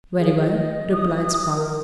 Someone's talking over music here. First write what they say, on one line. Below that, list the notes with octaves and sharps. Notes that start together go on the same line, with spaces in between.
"Very well," replied Spargo.
G#4
D#5
D#6
A#4